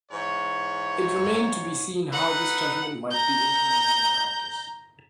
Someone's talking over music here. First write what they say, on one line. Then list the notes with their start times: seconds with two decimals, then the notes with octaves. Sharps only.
It remained to be seen how this judgment might be implemented in practice.
0.11 G#2 E3 C#5
2.13 D#4 A4 B4 F#5
3.11 A#5 G6